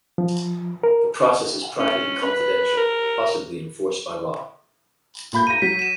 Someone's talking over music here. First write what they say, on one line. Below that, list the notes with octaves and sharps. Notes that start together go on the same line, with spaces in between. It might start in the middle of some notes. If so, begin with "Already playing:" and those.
The process is private and confidential, possibly enforced by law.
F3
A#4
C#4
B4
A#4
A#2 B5 G6
A#5 A#6 D#7
F#3 B6
D#7 E7